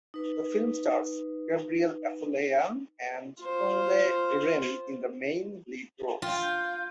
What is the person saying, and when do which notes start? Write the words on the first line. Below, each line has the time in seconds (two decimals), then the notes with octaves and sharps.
The film stars Gabriel Afolayan and Kunle Remi in the main lead roles.
0.14 D#4 B4
3.42 F4 C5
6.22 F4 G5
6.42 G6